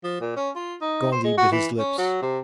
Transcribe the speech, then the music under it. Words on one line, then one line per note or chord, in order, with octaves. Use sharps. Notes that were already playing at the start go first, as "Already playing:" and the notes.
Gondy bit his lips.
F3
A#2
C#4
F4
D#4
C5
G#3
F#4
E3
C#4
F#3
C3